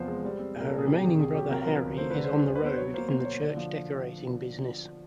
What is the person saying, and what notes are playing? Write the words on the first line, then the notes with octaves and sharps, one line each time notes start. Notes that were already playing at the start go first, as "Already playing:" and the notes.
Her remaining brother, Harry, is on the road "in the church decorating business".
Already playing: E2 C3 F3 C5
G#3
G3
C4
A#2 A#4
A#2 A4
G#4
C3 G4
G4
D#3 G#4
C2 G#4
F#3 G4
C3 A#4
A#4
F3 B4
D2
A3 C5
D3 B4
C5
G3
D2
B4
B3 C5
F#3 C#5
A#3 C5
B2 C5
C5
B2 C#5
D3 D5
F3